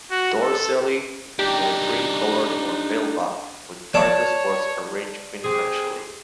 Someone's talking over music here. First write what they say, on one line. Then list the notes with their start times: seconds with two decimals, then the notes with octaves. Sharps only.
Dorsally they are cream-colored or pale buff, with darker spots arranged quincuncially.
0.12 F#4
0.42 A4
1.39 D4 D#4 G4
3.94 C#5 D5 A5
5.44 C4 G4 G#4